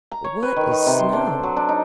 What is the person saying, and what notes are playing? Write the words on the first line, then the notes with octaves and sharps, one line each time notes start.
"What is snow?"
A#5
C#5
B4
D#3
D#4
C3
C5
D4
A4
F#3
D4
D#4